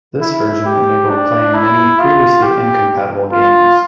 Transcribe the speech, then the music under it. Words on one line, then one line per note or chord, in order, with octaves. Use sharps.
This version enabled playing many previously incompatible games.
E4
G4
D4
E4
F4
G4
F4